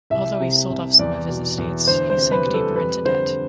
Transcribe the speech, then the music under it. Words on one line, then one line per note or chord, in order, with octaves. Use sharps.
Although he sold off some of his estates, he sank deeper into debt.
C2 E5
C3
C2
E2 D5
B2
E2
D2 C5
C5
C3
B4
G3
A4
F2 B4
D3 C5